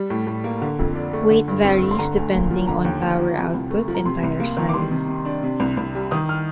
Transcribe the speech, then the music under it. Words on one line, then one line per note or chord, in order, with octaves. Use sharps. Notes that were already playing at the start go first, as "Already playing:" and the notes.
Weight varies depending on power output and tire size.
Already playing: G3
A2
A2
A#3
D3
F2
D4
A3
D3
G2
C4
A3
C6
D3 A#5
D2
A#3
F3
D3 A#5
D#2
D#2
F3
C3
C2
A3
F3
A#5
C3 C6
C2
A#3
D#3
D6
G3 C6
C3
C3
D4
C3
C2
C2
G3
D#3 D#6
F6